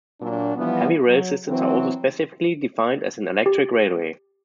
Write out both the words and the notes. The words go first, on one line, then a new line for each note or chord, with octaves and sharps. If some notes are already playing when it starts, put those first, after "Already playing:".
Heavy rail systems are also specifically defined as an "electric railway".
A#2 F#3 D4
E3 F3 G3 B3
F#3
E3 F#3 C4
G4